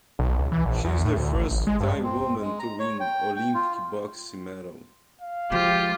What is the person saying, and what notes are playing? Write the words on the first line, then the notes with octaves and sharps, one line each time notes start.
She is the first Thai woman to win an Olympic boxing medal.
B1
C#2
E3
A#1
E2
A2
D2
A1
A1
G#3
G2
C4
G#3
A#5
C#5
G5
G5
F4
F5
F3 G#3 F4 G4